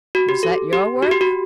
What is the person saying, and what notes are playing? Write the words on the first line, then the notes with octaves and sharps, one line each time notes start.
"Was that your work?"
F#4
G4
A4
G4
F#4
G4
F#4